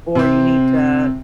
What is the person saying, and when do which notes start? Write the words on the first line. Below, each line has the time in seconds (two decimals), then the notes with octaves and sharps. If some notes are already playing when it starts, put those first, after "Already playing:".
or you need to,
0.15 C3 C4